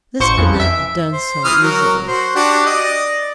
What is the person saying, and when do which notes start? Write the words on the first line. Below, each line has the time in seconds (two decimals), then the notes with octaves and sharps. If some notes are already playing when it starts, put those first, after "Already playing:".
This could not be done so easily.
0.20 A1 C5 C#6 C#7
0.38 F2 C#3 E3
0.60 E5 D7
1.12 C5
1.44 E3 D#6 F6
1.61 F#3 A#4
2.07 F#4 C5
2.36 D4 F#4 G4
2.66 D5 D#5